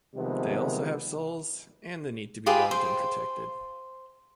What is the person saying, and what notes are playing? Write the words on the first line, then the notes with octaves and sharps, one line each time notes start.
They also have souls, and the need to be loved and protected.
C3 D#3 F3 G3 G#3 B3
F4 G4 G#4 B4
C5